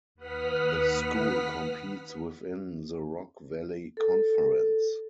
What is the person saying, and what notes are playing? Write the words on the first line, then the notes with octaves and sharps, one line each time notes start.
The school competes within the Rock Valley Conference.
D#2 B4 F#5 D#6 F6 B6
A4